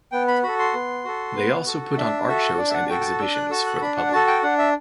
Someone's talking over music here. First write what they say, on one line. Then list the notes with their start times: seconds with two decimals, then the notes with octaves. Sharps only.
They also put on art shows and exhibitions for the public.
0.12 B3 G5
0.28 B5
0.43 F#4 A4 B5
0.59 C6
0.74 B3
1.04 F#4 A4
1.35 B3
1.66 F#4 A4
1.97 D4 E5
2.28 F#4 A4 E5
2.58 D4 D5
2.70 E5
2.74 F#5
2.89 F#4 A4 G5
3.01 G5
3.05 A5
3.20 D4 E6
3.35 F#6
3.50 F#4 A4 E6
3.66 F#6
3.82 D4 B5
3.97 F#5
4.12 F#4 A4 A5
4.27 G5
4.43 D4 F#5
4.58 E5